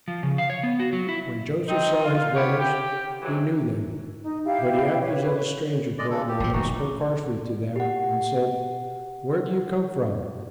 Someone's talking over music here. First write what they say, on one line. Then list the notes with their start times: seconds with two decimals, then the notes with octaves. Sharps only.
When Joseph saw his brothers, he knew them; but he acted as a stranger toward them and spoke harshly to them and said, "Where do you come from?"
0.08 F3
0.23 C#3
0.38 F5
0.50 C#5
0.63 B3
0.80 F#4
0.93 F#3
1.09 E4
1.68 C4 D#4
2.03 F4
2.34 B3 F4 G4 C#5
2.58 G4
3.22 C3 E3 F#3 G#3
4.22 D#4
4.45 E4 G4 F5 G5
4.99 B4 C#5
5.99 G#3 D5 D#5
6.11 C#3 E3 A4
6.28 G4
6.40 A1 F3
6.53 D1 B2 E3 D#4 F#4
7.76 G4 F#5